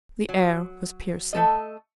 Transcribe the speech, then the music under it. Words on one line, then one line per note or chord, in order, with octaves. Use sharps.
The air was piercing.
F#3
A3 A4 D#5